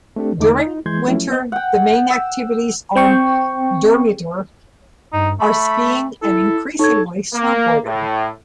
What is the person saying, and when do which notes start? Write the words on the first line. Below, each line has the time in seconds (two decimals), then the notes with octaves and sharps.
During winter, the main activities on Durmitor are skiing and, increasingly, snowboarding.
0.16 A3 C4 D4 G4 A4
0.39 E2 D3 A3 D#4 D6
0.59 D#4
0.86 E3 G#3 C6 G6 G#6
1.05 F3 F#3 A3 C#4 E4
1.30 B3 C5 D#5 G6
1.52 F#5 G5
2.10 E6
2.96 C4 G5 C#6
5.13 G2 D#4
5.40 A3 B5
6.22 E4 A4
6.79 D#4 A4 C#5 G#6
7.34 A#3
7.84 A2